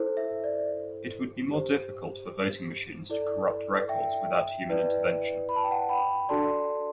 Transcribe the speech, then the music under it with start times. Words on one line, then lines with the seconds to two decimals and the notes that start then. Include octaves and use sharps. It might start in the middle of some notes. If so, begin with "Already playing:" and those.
It would be more difficult for voting machines to corrupt records without human intervention.
Already playing: E4 A4 C5
0.17 E5
0.44 D5
1.50 G4 C5
3.10 E4 A4 D5
3.89 E5 G5
4.69 E4 B4 D5
5.49 B5
5.56 A5
5.64 G5
5.71 F#5 A5
5.89 G5 B5
6.29 D4 F#4 A4 D5 A5 C6